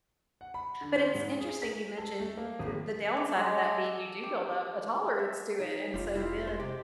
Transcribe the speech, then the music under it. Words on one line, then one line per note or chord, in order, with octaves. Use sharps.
but it's interesting you mentioned th the downside of that being you do build up a tolerance to it, and so then
F#5
B5
D3
C4
G#2
G#4
B6
A4
A3
A#3
G#1
D5
G#3
A4
A4
G4
E5
D#4 C#5
F1 G3 F4
E4 F4 G4 C5 E5
C5
C3 G4